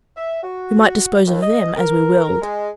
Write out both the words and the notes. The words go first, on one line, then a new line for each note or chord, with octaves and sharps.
We might dispose of them as we willed.
E5
F#4
D#2
D#5
A#4
G#3